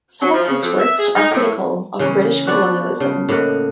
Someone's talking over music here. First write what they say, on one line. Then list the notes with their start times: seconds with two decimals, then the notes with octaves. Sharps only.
Some of his works are critical of British colonialism.
0.22 F#3
0.34 F3
0.47 C#3
0.62 F2
0.80 E5
0.99 G#4
1.15 D#4
1.31 A2
1.99 C#3 E3 A#3 C#4
2.47 F3 B3 D4 F#4
3.00 C#3
3.29 A2 A#3 D#5 F#5